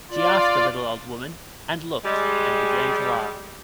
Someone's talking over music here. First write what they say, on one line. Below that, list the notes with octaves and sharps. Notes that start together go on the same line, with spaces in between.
She asked the little old woman; and looked, and began to laugh.
F4 D5
G3 G#3